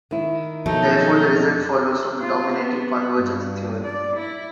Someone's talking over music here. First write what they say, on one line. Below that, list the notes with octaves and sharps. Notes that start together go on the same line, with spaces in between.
Therefore the result follows from the dominated convergence theorem.
D#3 E4
F2 B2 F#3 A3 D#4
F4
B3
G2
D5
E4